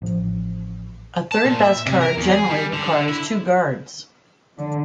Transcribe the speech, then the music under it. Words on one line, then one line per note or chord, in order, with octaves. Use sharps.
A third best card generally requires two guards.
A1 F3
A5
A#2
E5
C3
A#4
E2
G#4
G3
D3
E4
D3